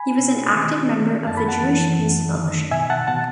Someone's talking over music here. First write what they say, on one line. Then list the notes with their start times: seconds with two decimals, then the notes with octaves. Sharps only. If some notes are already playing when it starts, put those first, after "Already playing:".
He was an active member of the Jewish Peace Fellowship.
Already playing: G#5 B5
0.19 B2
0.54 D#3
0.90 D#3
1.26 F#2 A5
1.37 B5
1.48 F#5 A5
1.63 E3
1.98 F#2
2.36 D#3
2.71 B2 E5 G#5
2.90 F#5 A5
3.07 B2 F#5 A5